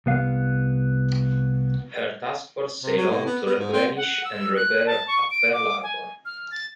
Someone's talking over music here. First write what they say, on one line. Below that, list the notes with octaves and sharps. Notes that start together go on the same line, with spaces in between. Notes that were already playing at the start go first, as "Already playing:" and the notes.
Her task force sailed on to replenish and repair at Pearl Harbor.
C2 B3 F5
C3
F#3
A2
B3
B3
G#2
C4
F#5
E6
F#6
A5
C#6
D7
D6
G#5
F6
A6